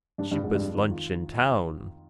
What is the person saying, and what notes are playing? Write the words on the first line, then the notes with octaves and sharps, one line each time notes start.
Cheapest lunch in town.
G2 D4
G2
F2
G#2
G2 G#3
D#3
F4